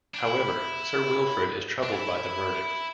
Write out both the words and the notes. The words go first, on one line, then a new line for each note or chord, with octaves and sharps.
However, Sir Wilfrid is troubled by the verdict.
D4
E4
D4
E4